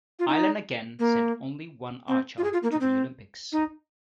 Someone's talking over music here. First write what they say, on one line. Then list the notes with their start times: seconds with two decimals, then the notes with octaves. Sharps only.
Ireland again sent only one archer to the Olympics.
0.19 F4
0.28 D#4
0.99 A#3
2.08 C4
2.38 F4
2.44 G#4
2.53 F4
2.63 A#3
2.71 D#4
2.81 C4
3.52 D#4